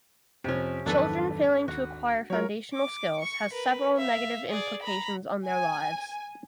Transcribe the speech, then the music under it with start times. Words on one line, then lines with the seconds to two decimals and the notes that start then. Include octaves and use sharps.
Children failing to acquire foundational skills has several negative implications on their lives.
0.44 F2 C3 F3 C#4
0.86 G#1 F2 D#3 F#3 D4 A4 B4
1.68 D#2 F#4
2.30 F#3 F4 A#4 C#5
2.73 D6
3.19 C#6 C#7
3.53 A#4 B4
3.97 E5 F5
4.49 G#4 D5
4.83 A#5 B5
5.45 G#5